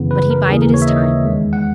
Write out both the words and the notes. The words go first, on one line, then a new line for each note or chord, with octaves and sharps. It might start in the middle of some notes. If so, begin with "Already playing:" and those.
But he bided his time.
Already playing: F#2 C#3 E3 B3
B4
A#4
D#2 C#3 E3 A#3 G#4
A#4
C#5
E5
D#5
E2 D#3 G#3 B3
F#5